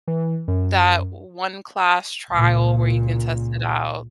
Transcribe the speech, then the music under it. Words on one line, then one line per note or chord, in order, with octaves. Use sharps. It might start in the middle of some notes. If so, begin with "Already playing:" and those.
that one-class trial where you can test it out,
E3
F#2
C#2 A#2